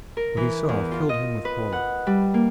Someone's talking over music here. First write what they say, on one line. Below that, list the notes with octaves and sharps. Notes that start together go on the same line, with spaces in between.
What he saw filled him with horror.
A#4
E3
E2
F4
D#5
B4
F#5
G3
A#3